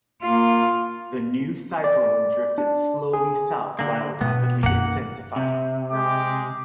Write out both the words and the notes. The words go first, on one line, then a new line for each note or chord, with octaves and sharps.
The new cyclone drifted slowly south while rapidly intensifying.
A#3 F4
D5
D4
G#4
D3 A#3
B2 B3
F#2 D#3 A#3 F#5
C3
G#3 G4 D6